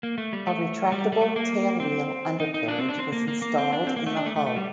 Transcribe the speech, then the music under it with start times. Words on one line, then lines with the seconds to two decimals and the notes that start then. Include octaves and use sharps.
A retractable tailwheel undercarriage was installed in the hull.
0.03 A#3
0.18 A3
0.33 G3
0.47 A3
0.92 G3
1.12 G3
1.21 A3
1.36 A#3
1.80 C4
2.40 D#4
2.54 D#4
2.68 D4
2.79 C4
2.89 D4
2.99 C4
3.12 A#3
3.28 A#3
3.42 A#3
3.58 C4
3.73 D4
3.87 C4
3.97 A#3
4.06 A3
4.17 D4
4.26 A3
4.36 A3
4.46 A3
4.56 G3